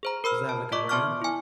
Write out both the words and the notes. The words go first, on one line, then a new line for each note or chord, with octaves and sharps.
is that, like, a brand?
G#4 C5 A#5
A#4 B5 E6 F6
A5
F4 D5 D#5 C#6 D6
B3 D5 A5 C#6 D6 F6
E4 G#5